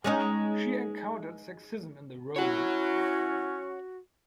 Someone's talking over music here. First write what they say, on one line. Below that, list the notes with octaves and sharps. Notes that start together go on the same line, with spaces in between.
She encountered sexism in the role.
G#3 C#4 D#4
C#4 E4 F#4 C#5 F#5